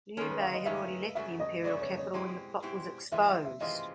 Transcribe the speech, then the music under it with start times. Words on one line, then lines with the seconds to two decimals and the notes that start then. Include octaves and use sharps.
Liu Bei had already left the imperial capital when the plot was exposed.
0.17 D#3 G#3 C#4 A4
0.29 B4
0.41 F5
0.54 D#5
0.65 D#3 G#3 C#4 E5
1.15 F#2 C#3 F#3 A3 C#4 E5
1.40 D#5
1.64 F#2 C#3 F#3 A3 C#4 D5
1.81 C#5
1.97 C#5
2.13 B2 G#3 C4 E4 G4
2.63 B2 G#3 C4 E4 G4
3.12 C3 E3 G#3 C4 F4 E5
3.28 E5
3.45 E5
3.60 C3 E3 G#3 C4 F4 D#5